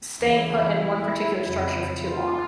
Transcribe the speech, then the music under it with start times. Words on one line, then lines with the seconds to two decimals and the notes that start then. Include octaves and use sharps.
staying put in one particular structure for too long?
0.18 E2 C#3 E3 E4
1.41 F2 C#3 F#3
2.02 F4